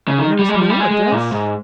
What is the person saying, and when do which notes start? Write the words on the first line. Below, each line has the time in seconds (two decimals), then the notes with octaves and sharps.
And there was no address?
0.08 C#3
0.18 D#3
0.39 G3
0.49 G#3
0.55 G3
0.59 F3
0.70 G3
0.80 G#3
0.91 G#3
1.12 A#2
1.32 G#2